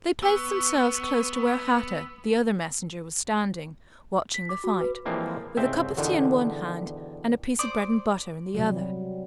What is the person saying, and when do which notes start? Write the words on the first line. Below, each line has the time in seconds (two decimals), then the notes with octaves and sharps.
They placed themselves close to where Hatta, the other messenger, was standing watching the fight, with a cup of tea in one hand and a piece of bread-and-butter in the other.
0.23 B3 C#6 E6
4.34 B6
4.49 D6
4.64 F#4
4.81 B4
5.06 E3 F3 G3 G#3 A#3 C4
5.57 C2 G#2 C#3 C4 E5 G5
5.97 E2 B2 D3 D#3
7.59 C5 D5 D6 D#6
8.55 C3 F#3 G3